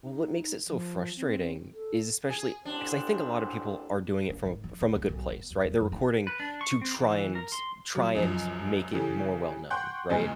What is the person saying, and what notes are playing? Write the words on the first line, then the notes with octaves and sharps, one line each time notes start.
Well, what makes it so frustrating is especially 'cause I think a lot of people are doing it from from a good place, right, they're recording to try and try and make it more well known, right?
D#4
F3
C4
A4
G#4
A1 D3 C4 D4
C#4
G#2
F3
A#2
C#2
B1
B3
D#2
E2
F#2
E4
B4
D4
C#6
C4
E3
A#4
C6
F#3
C#2 F#2 F3
C#3 E3 G4 A4
F#5 G5 C6 C#6 F#6 G6
E2 G2 A#2 C#3 G#3